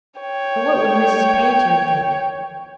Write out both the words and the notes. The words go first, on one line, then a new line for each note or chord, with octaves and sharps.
And what would Mrs. Pantin think?
C#5 G5